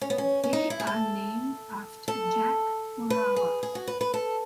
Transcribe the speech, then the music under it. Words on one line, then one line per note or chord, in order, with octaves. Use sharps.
They are named after Jack Morava.
C#4
B3
C#4
C#4
D#4
E4
G#4
A4
A4
B4
G#4
G#4
F#4
B4
B4
A4